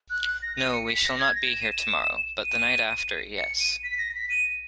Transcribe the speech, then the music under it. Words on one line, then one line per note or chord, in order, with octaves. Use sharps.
No, we shall not be here tomorrow; but the night after — yes.
F#6
F#6
A#6
D#7
C#7
B6
A#6
G#6
A#6
E7
D#7
E7
D#7
C#7
D#7
B6
A#6
B6
D#7